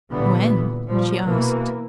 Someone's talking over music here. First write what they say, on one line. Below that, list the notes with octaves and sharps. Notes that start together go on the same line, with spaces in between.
"When?" she asked.
A#2 D3 E3 G3 B3
A#2 F3 G3
B2 E3 A#3